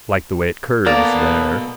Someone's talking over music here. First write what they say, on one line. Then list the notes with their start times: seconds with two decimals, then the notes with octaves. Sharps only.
Like the way it curves there.
0.87 B2 A#3 B3 A4 D5 A#5